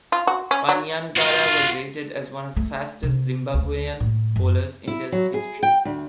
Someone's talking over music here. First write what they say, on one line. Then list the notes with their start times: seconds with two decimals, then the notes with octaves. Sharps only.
Panyangara was rated as one of the fastest Zimbabwean bowlers in their history.
0.12 F4
0.27 F#4
0.51 C#4
0.69 F#3
1.17 F4 F#4
2.57 A3
3.03 C3
3.54 D2
4.00 A2
4.36 F#2
4.87 E4
5.12 F#3
5.34 G#4
5.63 G5
5.85 D2